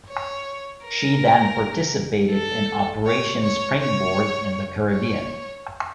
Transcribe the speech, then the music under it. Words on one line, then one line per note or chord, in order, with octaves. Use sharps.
She then participated in operation "Springboard" in the Caribbean.
C#5
A#4
A4
C#5
C#5
C#5
C#5